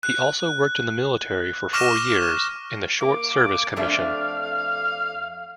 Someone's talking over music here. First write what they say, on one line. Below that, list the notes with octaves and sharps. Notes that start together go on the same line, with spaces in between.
He also worked in the military for four years in the Short Service Commission.
F#6
C#6 D6 F6 A#6 E7
A#3 D6
F2 A3 D4 F5